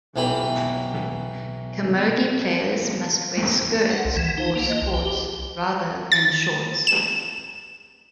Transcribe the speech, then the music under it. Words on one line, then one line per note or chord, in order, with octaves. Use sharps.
Camogie players must wear skirts or skorts rather than shorts.
B1 E3 G4 B5
F#5
C2
E3
D#4
A#3
D#5
C2
G5
G4
A6
E7